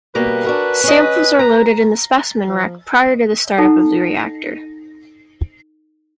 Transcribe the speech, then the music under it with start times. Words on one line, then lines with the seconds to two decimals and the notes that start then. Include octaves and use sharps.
Samples are loaded in the specimen rack prior to the start-up of the reactor.
0.15 B2 G3 A#3 B4
0.44 D4 F#4 A#4
0.84 C#4 D#5
1.39 A#5
2.46 F3
3.58 D#4 E4 A4 F#5 A5